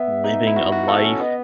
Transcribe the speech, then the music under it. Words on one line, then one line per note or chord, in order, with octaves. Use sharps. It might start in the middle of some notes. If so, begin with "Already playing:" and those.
living a life
Already playing: B3 E5
D#4
E4
F#4
F#4
A4
C#4
B3 D#5